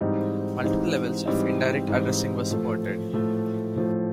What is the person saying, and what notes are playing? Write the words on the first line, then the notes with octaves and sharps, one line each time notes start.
Multiple levels of indirect addressing were supported.
G#2 E3 G3 C4 D#4
G#2 E3 G3 C4 D#4
G#2 E3 G3 C4 D#4
G#2 E3 G3 C4 D#4
A2 F3 A3
A2 F3 A3
A2 F3 A3